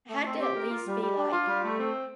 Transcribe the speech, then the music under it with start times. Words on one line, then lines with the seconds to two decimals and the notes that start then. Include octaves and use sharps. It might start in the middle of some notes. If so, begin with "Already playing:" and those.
had to at least be, like,
0.09 A3
0.24 C4
0.40 G4
0.55 A#4
0.70 F4
0.86 G3
1.01 G3
1.16 D4
1.32 F4
1.47 G3
1.63 A3
1.78 C4